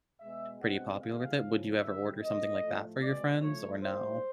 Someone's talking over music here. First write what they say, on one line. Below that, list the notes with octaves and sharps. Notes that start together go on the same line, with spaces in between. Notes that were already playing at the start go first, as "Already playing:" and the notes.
pretty popular with it. Would you ever order something like that for your friends or no?
B2 G#3 B3 E5
B2 G#3 C4 F#5
C3 E3 G#3 B3 F5
E2 C#3 F3
F#2 D3 G3 E5
A2 E3 G3 A#3 D#5
A2 F3 A3
B2 G#3 C4 D5
A2 F3 A3 C#5
F#2 D#3 G3 A#3 C5